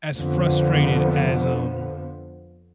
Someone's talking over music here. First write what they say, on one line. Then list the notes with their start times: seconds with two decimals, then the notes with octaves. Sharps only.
as frustrated as, um
0.15 F2 D3 F3 B3